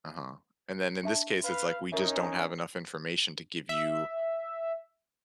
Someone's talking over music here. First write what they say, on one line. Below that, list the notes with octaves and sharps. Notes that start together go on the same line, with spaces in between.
Uh-huh, and then in this case, it's, like, we just don't have enough information to give you
D4 E5 A5
B4 F5 B5
C#4 D#4 A#4 C#5 E5
E5